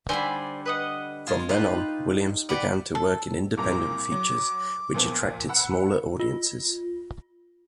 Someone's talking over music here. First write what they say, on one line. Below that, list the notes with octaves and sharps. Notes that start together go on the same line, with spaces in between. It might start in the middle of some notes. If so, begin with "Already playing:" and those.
From then on, Williams began to work in independent features, which attracted smaller audiences.
D3 G3 C5 D5 G#5 B5
B4 D#5 F#5
G#3 F4 G#4
D#4 F4 G4 B4
G4 B4 D5 F#5
A4
C2 A#2 A#5 D6
F#3
A#2 F3 B3
F#5 B5 E6
F4